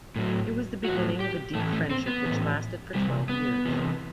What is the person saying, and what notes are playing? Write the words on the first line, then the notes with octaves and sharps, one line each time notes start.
It was the beginning of a deep friendship which lasted for twelve years.
A2 F#3
A2 F#3 F#4
G4
A2 E3 A3
A3
C4
B3
A2 E3
C3 E3 G3
B3
C3 E3